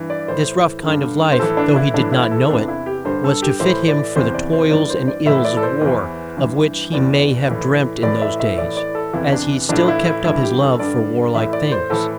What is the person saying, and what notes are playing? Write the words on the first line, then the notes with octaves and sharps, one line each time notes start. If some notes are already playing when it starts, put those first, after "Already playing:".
This rough kind of life, though he did not know it, was to fit him for the toils and ills of war, of which he may have dreamt in those days, as he still kept up his love for war-like things.
Already playing: G2 E3
D5
A2 E3 C5
G2 D3
C5
A2 E3 A4
D4
E4
A2 E3 D4
E4
A4
E2 C3 E3 D4
E4
G4
G2 D3 C5
A4
G4
A2 E3 C5
D5
E2 C3 E3 C5
D5
C5
G2 E3 D5
C5
D5
A2 E3 E5
D5
A4
C5
E2 E3
G2 E3
E2 E3 D5
A2 E3
A2 E3 D5
E5
E5
A2 E3 D5
D5
A4
E2 C3 E3 E4
D4
A2 E3 D4
E4
E4
G2 E3 E4
G4
A4
G2 D3 D5
A2 E3 E5
D5
C5
A2 E3 A4